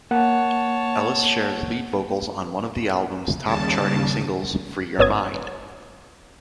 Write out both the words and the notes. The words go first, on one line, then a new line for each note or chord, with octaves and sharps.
Ellis shares lead vocals on one of the album's top-charting singles "Free Your Mind".
A#3 C#5 F#5 A5
D#2 C#3 G3 A5
G1 B3 C#5 D#6 G#6